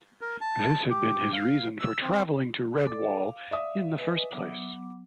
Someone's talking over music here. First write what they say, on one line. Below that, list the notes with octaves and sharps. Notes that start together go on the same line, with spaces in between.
This had been his reason for travelling to Redwall in the first place.
A#4
A5
G4
F5
E6
C4
A4 D5 D6
F5
D5 E5 D#6
B4 D#5 G#5
F#3 B3 D6